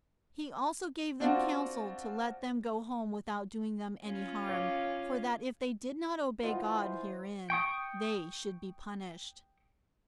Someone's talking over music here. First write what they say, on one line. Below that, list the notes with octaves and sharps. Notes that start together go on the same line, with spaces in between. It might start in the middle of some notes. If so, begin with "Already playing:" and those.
He also gave them counsel to let them go home without doing them any harm, for that if they did not obey God herein, they should be punished.
C4 D4 F4 F#4
C#4 F4
C#5 F5 D6
E3 F4 C5 D#5 F#5
G5 C#6 D#6